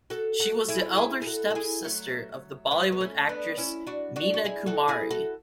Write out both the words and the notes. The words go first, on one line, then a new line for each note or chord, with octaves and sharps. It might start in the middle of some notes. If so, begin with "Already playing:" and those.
She was the elder step-sister of the Bollywood actress Meena Kumari.
F#4 A4
F#4 A4
E4 G#4
E4 G#4
G#4
F#4 A4
F#4
E4 G#4
F#3 A3
C#4
G#3 B3
B3
A3 C#4
B3 D4
C#4 E4
D4 F#4
D4 F#4
F#4
E4 G#4
F#4 A4
E4 G#4
F#4 A4